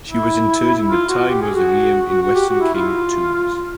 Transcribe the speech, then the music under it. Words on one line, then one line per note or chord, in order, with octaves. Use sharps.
She was interred in the Tai Mausoleum in Western Qing tombs.
E4
F4
F#4
G4
G#4
F#4
F#4
F#4
G4
F#4
E4
F4